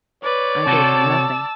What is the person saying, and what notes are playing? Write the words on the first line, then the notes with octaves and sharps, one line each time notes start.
'I gave her nothing.
B4 C#5 D5
C3 F#4 A4 A5 E6